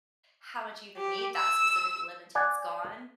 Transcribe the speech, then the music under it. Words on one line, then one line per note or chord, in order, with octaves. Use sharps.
how much you even need that specific limb until it's gone,
G4
E6
D5 F#5 G#5